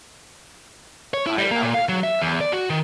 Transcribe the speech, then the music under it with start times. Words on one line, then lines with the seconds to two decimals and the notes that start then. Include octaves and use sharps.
I I would agree. Um,
1.14 C#5
1.27 E4
1.38 G3
1.51 A#3
1.63 A#2
1.74 F5
1.89 F#3
2.04 E5
2.21 E2
2.41 D5
2.52 F#4
2.70 D#3